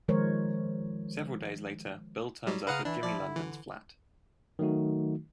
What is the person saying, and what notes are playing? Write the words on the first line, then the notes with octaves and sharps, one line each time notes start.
Several days later, Bill turns up at Jimmy's London flat.
D#3 F3 G#3 A#4 C5 C#5
F#3 G3
C#3 B4 F5 F#5 A#5 D#6 F6
E3 D4 E4
F3 D5
D3
E3
D#3 F#3 A3 D#4 F#4